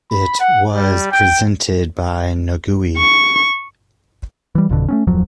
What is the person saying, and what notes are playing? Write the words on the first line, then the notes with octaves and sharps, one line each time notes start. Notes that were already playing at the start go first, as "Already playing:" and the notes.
It was presented by Nagui.
B5
F#5
G3
G5
C#6
E3 G3
G#1 F2 B2 D3
A3 C4 C#4
D1 F2 F3 F#3